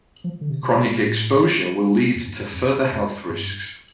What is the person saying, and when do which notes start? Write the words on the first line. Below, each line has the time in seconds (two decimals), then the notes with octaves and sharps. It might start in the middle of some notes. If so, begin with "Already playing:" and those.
Chronic exposure will lead to further health risks.
0.24 F3
0.41 D3
0.50 C3
0.63 C3
0.76 B2
0.88 A2
1.01 A2
2.15 F2
2.28 G2
2.41 G2
2.53 F2
2.92 F2
3.30 G2